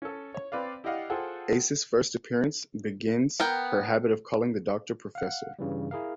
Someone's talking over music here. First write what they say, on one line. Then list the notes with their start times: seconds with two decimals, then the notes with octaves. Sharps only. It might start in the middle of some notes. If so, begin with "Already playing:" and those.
Ace's first appearance begins her habit of calling the Doctor "Professor".
0.02 C#4 A4
0.34 C#5
0.52 C4 B4 D5 F5
0.84 E4 G4 D5 D#5 F5 F#5
1.10 F4 G#4 A4 C5 F#5 G5
3.40 B3 A#4 G5
5.15 F5 F#5
5.59 G2 C#3 E3 G3
5.91 E4 G#4 A#4 F5